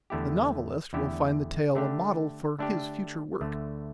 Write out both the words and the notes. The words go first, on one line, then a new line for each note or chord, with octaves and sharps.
The novelist will find the tale a model for his future work.
E2 D3 A3 E4 G4
E2 D3 A3 E4 G4
D3 A3 D4 G4
D3 A3 D4 G4
D2 D3 A3